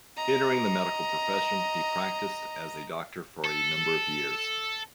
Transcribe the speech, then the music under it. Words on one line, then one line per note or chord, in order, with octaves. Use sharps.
Entering the medical profession, he practised as a doctor for a number of years.
D#5 A#5
A4